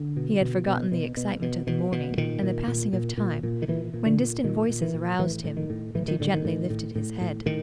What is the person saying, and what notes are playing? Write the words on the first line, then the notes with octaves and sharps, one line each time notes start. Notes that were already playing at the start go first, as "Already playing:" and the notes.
He had forgotten the excitement of the morning and the passing of time when distant voices aroused him, and he gently lifted his head.
Already playing: D3
B2
B2
B2
B2
B2
B2
B2
B2
A#2 D#3
A#2
A#2
A#2
A#2
A#2
D#3
A#2 E3
A#2
D3
A#2
A#2 D#3
A#2
E3
A#2
A2 E3
A2
D#3
A2
A2 E3
D#3
A2 D3
D#3
A2
A2
A2
A2
A2 D#3